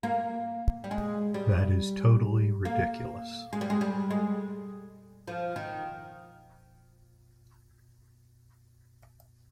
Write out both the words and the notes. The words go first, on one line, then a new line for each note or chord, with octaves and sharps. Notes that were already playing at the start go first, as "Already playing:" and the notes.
That is totally ridiculous.
A#3
G3
G#3
G3
A#3
G#3
G3
G#3
G3
G#3
F3
D#3